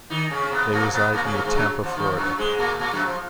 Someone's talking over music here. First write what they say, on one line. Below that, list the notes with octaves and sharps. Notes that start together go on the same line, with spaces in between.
They reside near Tampa, Florida.
D#3 D#4
C#3 C#4
C#4
B2 B3
A#2 A#3
B2 B3
A#2 A#3
C#3 C#4
A#2 A#3
G#2 G#3
F#2 F#3
F2 F3
D#2 D#3
F3
F#2 F#3
G#2 G#3
A#2 A#3
A#2 A#3
F#2 F#3
F3